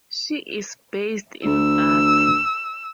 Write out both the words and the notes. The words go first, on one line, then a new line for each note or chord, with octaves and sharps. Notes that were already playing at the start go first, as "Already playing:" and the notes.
She is based in Bath.
D2 E6